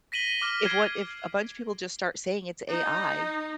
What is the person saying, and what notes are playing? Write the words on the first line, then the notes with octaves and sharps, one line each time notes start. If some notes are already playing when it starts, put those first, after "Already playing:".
if what if a bunch of people just start saying it's AI,
A#6 B6 D#7 F#7 G7
D6 F6
G#6 C7 D7 D#7
D#4